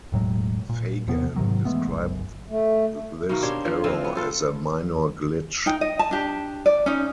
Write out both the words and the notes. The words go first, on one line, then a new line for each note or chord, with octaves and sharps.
Fagan described this error as a "minor glitch".
E1 A2 F#3 G#3
A#2
E2 C3 F3 B3
G#2 C3 D#3 F#3
E3 G#3 A3 B3
G1 C#2 F#2
A3
B2 D#3 A#3
D4 G4 C5 C#5
F3
C#3 E3 F3 C4
B3
F4 A4 C5
D#4 G5
D#5
A5
D4 G4
D5
C#4 D#4